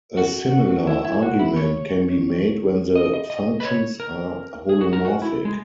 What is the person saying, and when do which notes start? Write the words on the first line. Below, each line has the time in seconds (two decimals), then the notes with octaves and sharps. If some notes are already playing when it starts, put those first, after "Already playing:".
A similar argument can be made when the functions are holomorphic.
0.17 F#4
0.87 E4
1.05 E4
1.22 F#4
1.39 E4
1.56 C#5
2.96 D#5
3.14 D#5
3.30 D#5
3.60 B4
3.65 C#5
4.00 A#4
4.69 G#4
4.81 F#4
4.93 A#4
5.05 F#4
5.22 E4
5.45 G#3